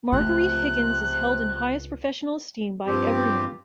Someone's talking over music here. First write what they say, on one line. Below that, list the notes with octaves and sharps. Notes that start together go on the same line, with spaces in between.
Marguerite Higgins is held in highest professional esteem by everyone.
C#2 C3 F3 A3 F#6
G2 F3 C4 G4